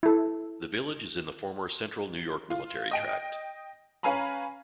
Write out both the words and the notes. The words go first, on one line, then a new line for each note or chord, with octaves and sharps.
The village is in the former Central New York Military Tract.
E4 A4
F4
D#5 G5 D7
C#4 B4 F5 G#5 A#5 B5